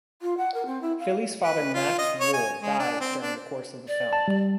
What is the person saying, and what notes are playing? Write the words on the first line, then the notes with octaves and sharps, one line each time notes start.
Philly's father, Max Wohl, dies during the course of the film.
F4
F#5
A#4
C4
E4
F5
B4
F4
D#5
C#5
G#5
G#3
D4
C4
D4
D5
A5
G3